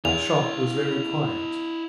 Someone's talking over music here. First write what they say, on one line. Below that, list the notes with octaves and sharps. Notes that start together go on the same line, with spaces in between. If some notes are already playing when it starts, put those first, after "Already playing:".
The shop was very quiet.
E2 E4 F5 F7